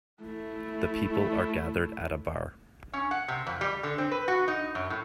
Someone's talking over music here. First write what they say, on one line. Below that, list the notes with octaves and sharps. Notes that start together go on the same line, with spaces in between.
The people are gathered at a bar.
A3 E4
C#4
F#5
C3
F2
G3
D3
C4
B4
F#4
D#4
F#2
A2